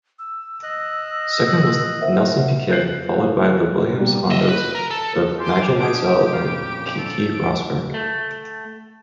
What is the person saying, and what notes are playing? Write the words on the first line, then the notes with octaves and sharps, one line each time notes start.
Second was Nelson Piquet, followed by the Williams-Hondas of Nigel Mansell and Keke Rosberg.
E6
D#5 F#6
A#4 C5 E5 F#5
F#6 G6 C7 F#7
A4 C#5 F5
F#6
G3 A#3 B3
D#5 E5
B4
A#4
A4
G4 G#5 C6 D6
D4 G#4 C#5 D7
F2 A#2 C#4 F5
A4
A3